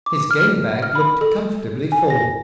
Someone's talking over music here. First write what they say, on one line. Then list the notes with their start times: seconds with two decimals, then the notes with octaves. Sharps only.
His game-bag looked comfortably full.
0.06 D6
0.31 F6
0.83 F6
0.95 B5
1.21 A4
1.92 G#5
2.10 A#6